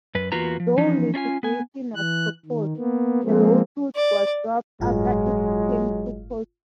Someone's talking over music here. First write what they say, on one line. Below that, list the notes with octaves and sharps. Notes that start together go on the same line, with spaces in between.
Though litigation was proposed, the lawsuit was dropped after it became too costly.
F#2 B4
E2 A#3 F4 F#4 B4 A#5
F3
E3 F3 C#4 D#4
C#4 D4 F4 G#5
B3 G#5
E3 F#6
D#3
A#3 B3
F3 G#3 A#3 C4
D5
G1 A2 F#3 G#3 F4